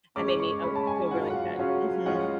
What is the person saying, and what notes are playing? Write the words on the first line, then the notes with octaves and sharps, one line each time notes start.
I made me o feel really good. Mhm.
C#3 G#3 C#4 D6
D6
C#6
C#3 G#3 C#4 B5
A5
G#5
C#3 F#3 C#4 F4 F#5
F#5
F5
C#3 F#3 C#4 F4
F3 G#3 C#4 F4 F#5